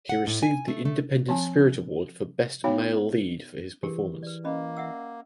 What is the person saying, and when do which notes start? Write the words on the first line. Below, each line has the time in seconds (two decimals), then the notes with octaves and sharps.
He received the Independent Spirit Award for Best Male Lead for his performance.
0.09 F#5
0.27 A2
0.43 G#5
0.68 A3
0.85 A3
1.29 F3 C4 G#5
2.64 B3 D#4 F#4 C#5 F5
3.83 E3 G4 G#4 A#4
4.23 B4 D5
4.44 A#3 C#4 D#5 B5
4.77 E5 F#5 E6